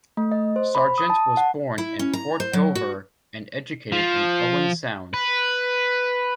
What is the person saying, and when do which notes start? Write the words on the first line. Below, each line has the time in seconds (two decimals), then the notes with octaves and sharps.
Sargent was born in Port Dover, and educated in Owen Sound.
0.17 A3
0.32 D#5
0.56 C5
0.75 B5
0.98 D#6
1.10 A5
1.37 F#5
1.78 E4
1.99 C#4
2.13 A#5
2.40 C5
2.53 F#3
2.75 F#4
3.92 F3
5.14 B4